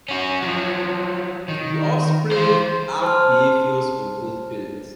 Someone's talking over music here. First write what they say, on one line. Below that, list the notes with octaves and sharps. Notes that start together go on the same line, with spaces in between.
These offspring have behaviors of both parents.
C#4 F#4
F3 F#3
D#3
E3 C5
C5 A5 C6 F6